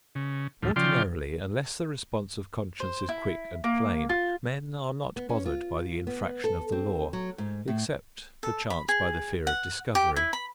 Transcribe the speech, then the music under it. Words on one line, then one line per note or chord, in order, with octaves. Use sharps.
Ordinarily unless the response of conscience is quick and plain, men are not bothered by the infraction of the law except, perchance, by the fear of discovery.
C#3
D2 A2 F3
C#3 F3 F4 D5 G5 C6
C5
E4
A#3
F4
B3
C#4
F4
B3
A4
C4
F#3
G#2
A2
A4
B5
G#4
F#5
G4
E4
B5